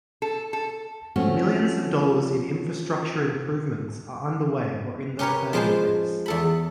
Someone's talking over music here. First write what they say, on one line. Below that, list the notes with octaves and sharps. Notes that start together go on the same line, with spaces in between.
Millions of dollars in infrastructure improvements are underway or in the planning phase.
A4
A4
F3 A3 C4 C#4 F#4
C#4 G4 A#4 B4 C#5
F3 G#3 B4 C5 G#5 A5
E2 A4 B5